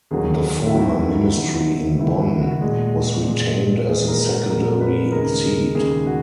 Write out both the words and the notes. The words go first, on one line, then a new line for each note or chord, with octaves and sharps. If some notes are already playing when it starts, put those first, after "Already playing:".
The former ministry in Bonn was retained as a secondary seat.
D#2 D#3 F#3 G#4
E4
D#2 D#3 F#3 F#4
D#2 D#3 F#3
D#2 D#3 F#3 E4
F#4
F#4
A#2 G#3
A#2 G#3
A#2 G#3 G#4
A#4
F#4
A#2 G#3 A#4
B4
D#2 C#3 G#3 A#4
G#4
D#2 C#3 G#3 G#4
F#4